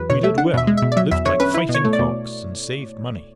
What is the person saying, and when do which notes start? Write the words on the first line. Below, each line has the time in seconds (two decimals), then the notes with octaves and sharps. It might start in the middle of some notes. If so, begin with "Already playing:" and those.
We did well, lived like fighting cocks, and saved money.
Already playing: E2 F#3 B4
0.10 B2 C#5
0.23 A3 E5
0.38 D4 F#5
0.53 B2 E5
0.67 G#3
0.77 E5
0.82 B2
0.92 D5
0.97 F#3 E5
1.11 E2 E5
1.25 D3 C#5
1.40 C#4 B4
1.54 E4 B4
1.69 B2
1.74 C#5
1.85 A3
1.93 D5
1.99 B2